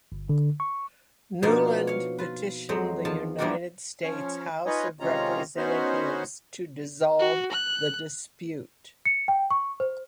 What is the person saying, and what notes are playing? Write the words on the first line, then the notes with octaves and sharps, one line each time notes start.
Newland petitioned the United States House of Representatives to resolve the dispute.
G1
D3
C#6
B2 F3 A#3 B3 D4 D#4
C#5 F5
F4 B4
F2 F#3 G#3 C5
E2 F3 F5 A5
F3 G3 A#3 D4 F4 F#4
F3 C#4
D#4 F4 B4 C#5 D#5 G#5
C3 D#3 G#3 C#4 F4 A#5
B3 C#4 D#4 F#4 C5
F#4
F#6
C#7
G5
C#6
C5